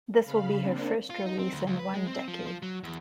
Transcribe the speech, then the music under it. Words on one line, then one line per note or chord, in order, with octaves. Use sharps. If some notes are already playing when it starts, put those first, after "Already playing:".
This will be her first release in one decade.
C#3 F5 B5
A#3 C4 D4
F4
D#4
C4
D2
C#2
B4
G#3
C4
F3
F3
F#3
E2